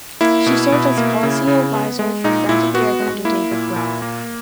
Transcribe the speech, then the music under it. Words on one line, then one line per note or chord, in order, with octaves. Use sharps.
She served as policy adviser for Friends of the Earth under David Brower.
A#3 E4
B2
B2
A#3
C#3
C#3
B3
G#3
A#2 D#4
A#2 E4
B3 F#4
G#3
A#3 E4
A#2
A#2
A#3